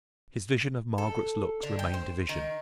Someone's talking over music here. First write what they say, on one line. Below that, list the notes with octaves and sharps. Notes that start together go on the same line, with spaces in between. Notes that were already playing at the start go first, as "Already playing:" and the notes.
His vision of Margaret's looks remained a vision.
A4
D3
G5
C5
D#3